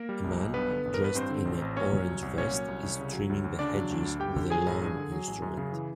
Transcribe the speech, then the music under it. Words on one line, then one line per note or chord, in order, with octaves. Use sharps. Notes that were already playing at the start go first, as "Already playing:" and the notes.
A man, dressed in a orange vest is trimming the hedges with a lawn instrument.
Already playing: A#3 A#4
G3
B1
B1
G2 B3 B4
D3
A1
A#4
A1 B4
G2 C4 C5
D3
A1
A1
A#2 C#4 C#5
F#3
C2
C2
A#2 C#4 C#5
F#3
C2
C2
C#3
F#3
D2
D2
C#3 D4 D5
F#3
D2
D2
G2 G4 G5
D3
F#3 G#4 G#5
A1
G2
D3
F#3
A1
F#2
C#3
E3